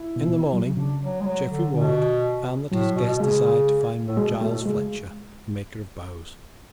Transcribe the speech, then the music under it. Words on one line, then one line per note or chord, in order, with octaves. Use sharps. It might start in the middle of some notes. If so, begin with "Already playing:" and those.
In the morning Geoffrey Ward found that his guest desired to find one Giles Fletcher, a maker of bows.
Already playing: E4
B2
B2
F#3
C#3 D4
F#3
G#3
F#3
D3
B2 D3
A2 F#3
B2
B2
C#3 G#3
A2
B2 G#3
B2 A3
A2
B2
C#3 G#3